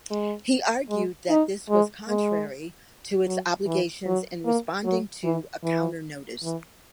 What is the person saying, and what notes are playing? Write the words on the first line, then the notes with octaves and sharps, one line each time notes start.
He argued that this was contrary to its obligations in responding to a counter-notice.
G#3
G#3
D#4
G#3
G#3
F#3
E3
F#3
A#3
F#3
E3
E3
E3